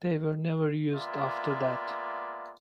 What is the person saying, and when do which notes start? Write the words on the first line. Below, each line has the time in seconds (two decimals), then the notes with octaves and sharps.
They were never used after that.
0.95 G#3 A#3 B3 F4 D5 E5